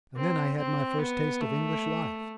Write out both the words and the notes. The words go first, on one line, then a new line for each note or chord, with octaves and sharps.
And then I had my first taste of English life.
C4
C4
B3
A3